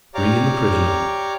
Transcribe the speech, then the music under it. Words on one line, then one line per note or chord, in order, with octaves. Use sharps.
"Bring in the prisoner."
G4 C#5 D5 F5 A#5 D6